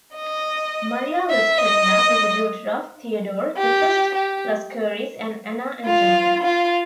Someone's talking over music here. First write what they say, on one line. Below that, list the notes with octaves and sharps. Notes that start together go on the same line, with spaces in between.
Maria Laskarina was a daughter of Theodore the First Lascaris and Anna Angelina.
D#5
E5
D#5
G4
G4
F4
F4